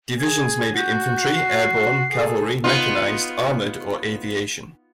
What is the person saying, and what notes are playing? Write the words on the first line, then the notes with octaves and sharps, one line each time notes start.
Divisions may be infantry, airborne, cavalry, mechanized, armoured or aviation.
G#4 G#6
F#4 G6
C7
G#4 A4
B3 D#4 F4